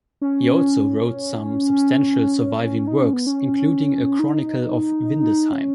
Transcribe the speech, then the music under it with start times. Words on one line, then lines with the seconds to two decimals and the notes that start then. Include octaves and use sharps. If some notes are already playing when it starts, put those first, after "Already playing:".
He also wrote some substantial surviving works, including a chronicle of Windesheim.
0.21 C#4
2.87 D#4
3.00 C#4
3.13 B3
3.27 C#4
4.19 D#4
5.52 C#4